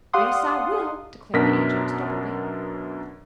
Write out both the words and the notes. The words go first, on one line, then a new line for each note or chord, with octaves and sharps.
"Yes, I will," declared the agent, stubbornly.
G4 D5 F5 F#5 C6 D#6
F#2 B2 D4 A#4 A#6 B6